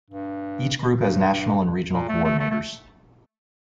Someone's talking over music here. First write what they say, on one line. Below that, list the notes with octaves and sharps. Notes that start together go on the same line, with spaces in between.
Each group has national and regional coordinators.
G2
G2
A#2
A3
A3
A3
A3